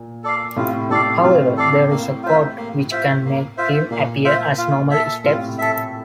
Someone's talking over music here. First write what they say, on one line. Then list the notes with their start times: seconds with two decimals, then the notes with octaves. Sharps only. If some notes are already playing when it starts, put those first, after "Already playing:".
However, there is a code which can make them appear as normal steps.
Already playing: A#2
0.24 A4 D5 F5
0.56 A2 C3 F4
0.90 A2 C3 A4 D5 F5
1.23 A2 C3 F4
1.57 A4 D5 F5
1.90 A#3
2.23 F4 C5 E5
2.57 A#3
2.91 F4 C5 E5
3.25 A#3
3.58 F4 C5 E5
3.91 A#2 A#3
4.25 F4 C5 E5
4.58 F4
4.91 A4 E5
5.24 A2 C3 F4
5.58 A4 E5